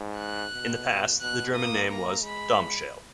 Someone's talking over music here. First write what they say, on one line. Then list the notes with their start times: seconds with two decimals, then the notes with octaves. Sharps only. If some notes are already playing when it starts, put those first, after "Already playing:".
In the past the German name was "Domschale".
Already playing: G#2
0.19 F#6
0.53 B2
1.21 B2 F#6
1.54 A#3 D#6
1.88 A#3 A#5
2.22 G#3 B5